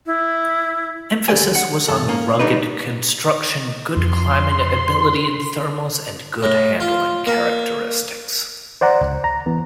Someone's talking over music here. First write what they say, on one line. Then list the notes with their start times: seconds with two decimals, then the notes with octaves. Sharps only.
Emphasis was on rugged construction, good climbing ability in thermals and good handling characteristics.
0.06 E4
1.28 D#2 D3 G4 D5 G#5
1.55 F#5
1.88 E2 G2 A4
2.08 A#3 C#4
2.39 D3 G3 D4 D#4 B4
3.96 F2 C6
6.43 A2
6.80 F4
7.27 A#3
8.81 C5 D5 F#5 A#5
9.01 C#2
9.24 A#5
9.46 E3 B3